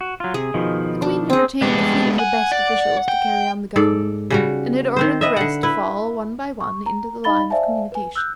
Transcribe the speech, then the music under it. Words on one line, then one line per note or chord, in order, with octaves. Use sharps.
The Queen had retained a few of the best officials to carry on the government, and had ordered the rest to fall, one by one, into the line of communication.
F#4
F#3 F4
C3 G#4
B2 D#3 F3
D4
C4 G#4
G#3 B3 D4 G4
F#5 G#5
D5
G5
G#2 A4 D5
C#3 G3 F#4
D#3 C4 C5
B4 D#5 E5
D3 F#5
E4 B4
C#6
A#5
D#4 D#5 F5 B5 A6 G7
C5 D5 E5 F5 G#5 A5
B4 G#5
E6 F#6 G6